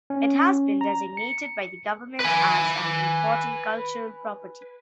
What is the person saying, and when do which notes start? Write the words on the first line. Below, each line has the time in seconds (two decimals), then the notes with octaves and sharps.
It has been designated by the government as an Important Cultural Property.
0.10 C#4
0.81 A#5
1.17 C#7
2.20 B4 G#5